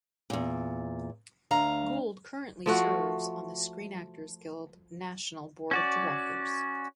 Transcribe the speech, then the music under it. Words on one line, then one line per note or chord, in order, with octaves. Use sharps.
Gould currently serves on the Screen Actors Guild National Board of Directors.
E2 A#2
D2 F5 A#5
F3 A3 F#4
C#4 F#4 D5